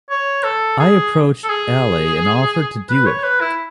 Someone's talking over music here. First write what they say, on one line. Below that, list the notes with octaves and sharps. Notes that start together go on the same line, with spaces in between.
I approached Alea and offered to do it.
C#5
A4
G#4
A4
G#4
B4
C#5
B4
E4